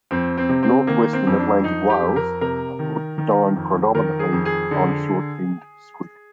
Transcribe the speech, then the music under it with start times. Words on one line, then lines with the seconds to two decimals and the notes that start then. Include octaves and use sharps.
Northwestern Atlantic whales are thought to dine predominately on short-finned squid.
0.11 F2 C4
0.37 C4
0.49 C3
0.63 C4
0.87 D#3 A#3
1.13 C4
1.27 F2
1.39 D4
1.64 F2 D#4
1.90 G4
2.02 F2
2.16 A#4
2.41 C3 A#4
2.79 D#3
3.18 D#3
3.56 F2
3.95 D#3 A#4
4.19 G#4
4.32 F2
4.45 G#4
4.71 D3